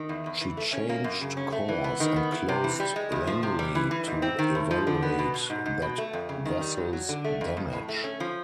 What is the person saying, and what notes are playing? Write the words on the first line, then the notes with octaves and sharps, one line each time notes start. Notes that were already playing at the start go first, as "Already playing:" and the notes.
She changed course and closed "Langley" to evaluate that vessel's damage.
Already playing: D#3
E2
E2
E3
A3
C#4
A#3
F#2
C#3
C#4
A3
E3
B3
D#3
B3
E3
C3
E3
G3
G#3
E2
F3
C3
G3
E3
E3
G#2
C4
D#3
A2
F3
D3
B3
B2
B2
G#2
G#2
B2
A3
F2
C#3
D#3
G3
F#3
F#3
D3
A3
F2
F2
A2
A3
C#4
F3